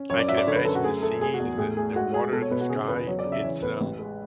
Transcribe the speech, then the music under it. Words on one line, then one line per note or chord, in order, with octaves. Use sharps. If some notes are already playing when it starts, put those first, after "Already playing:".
I can imagine the scene in the the water, the sky. It's, um
Already playing: C#4
F#2 C#5
D5
F#3 E5
D5
D3 C#5
B4
F#2 A4
F#4
A3 G#4
A3 A4
A3 G#4
F#4
E2
A2 G#4
A3 G#4
G#3 F#4
G#3 G#4
B2 A4
C#5
B2 B4
F#4
C#3 G#4
E2 B4
F#3 C#5
D5
C#3
E5
E3 C#5
B3 B4
A1
G#3